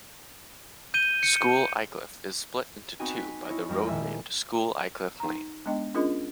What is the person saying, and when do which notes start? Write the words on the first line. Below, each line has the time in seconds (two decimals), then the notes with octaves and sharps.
School Aycliffe is split into two by the road named School Aycliffe Lane.
0.94 G6 D#7 G7
1.23 C#7
2.99 B3 C4 D#4 F#4 G#5
3.16 B6
3.46 E4 C#5 D#5
3.69 F2 G#3 A#4
3.86 D#1 E5 G#5
5.20 D#4 A#5
5.66 G#3 B3 D4 D#5 G5
5.94 C#4 D4 F4 G#4 A#4 D#5